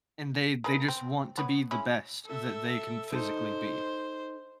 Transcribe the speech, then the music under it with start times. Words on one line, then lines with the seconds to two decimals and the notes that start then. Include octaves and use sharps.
And they they just want to be the best that they can physically be.
0.64 G#3 A#3 B4
0.88 C4
1.38 B3 B4 C#5
1.71 G#3 C#4 E4
2.25 A4 E5
3.12 D#4 A4 C5